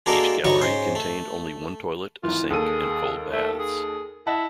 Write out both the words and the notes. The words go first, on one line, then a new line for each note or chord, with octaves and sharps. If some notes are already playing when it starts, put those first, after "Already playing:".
Each gallery contained only one toilet, a sink and cold baths.
G#3 A#3 D4 F#4 A4 A#4
D2 F#3 G3 D#4 C#6
G#2 C#4 C5
A3
G#1 E3 F4
D#2 G#4 A4 D#7
A3
G#4
E4 D#5 F#5 A5